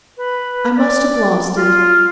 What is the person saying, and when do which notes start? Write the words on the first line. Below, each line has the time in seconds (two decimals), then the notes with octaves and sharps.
"I must have lost it."
0.17 B4
0.76 D5
1.55 F4